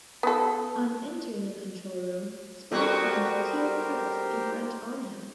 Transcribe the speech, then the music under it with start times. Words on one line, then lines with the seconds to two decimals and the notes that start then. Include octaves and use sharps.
On entering a control room, Spock finds two Kirks in front on him.
0.23 B3 A4
2.72 G3 B3 F#4 G4 A4 A#4 C5